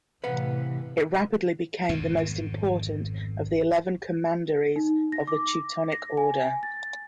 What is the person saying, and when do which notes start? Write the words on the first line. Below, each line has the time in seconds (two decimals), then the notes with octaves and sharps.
It rapidly became the most important of the eleven commanderies of the Teutonic Order.
0.24 A2 C3 E3 B4 F5 F#5
1.89 G#1 F2 B2 D3
4.76 D#4
5.12 A#6
5.27 D6
5.93 A#6
6.17 G#5
6.63 A6